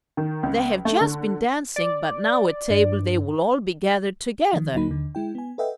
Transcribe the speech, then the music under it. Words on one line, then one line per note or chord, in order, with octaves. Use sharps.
They have just been dancing, but now at table they will all be gathered together....
D#3
C#2
A3
D3
D5
G2
D#3 F3
D2 D3 F#3 A#3 D#4 B5
D#2 D3
G#3 E4 G5
B3 G#5
A4 B4 D#5 E5 F#5 G5